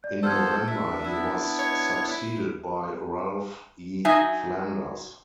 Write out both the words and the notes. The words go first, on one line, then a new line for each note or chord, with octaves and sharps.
In November he was succeeded by Ralph E. Flanders.
D5
F3 B3 A4 C5 E6 F6 G#6
D4 E5 E6
B3 D4 E4 E6
C#5
E4
F#3 D#4 E5 G#5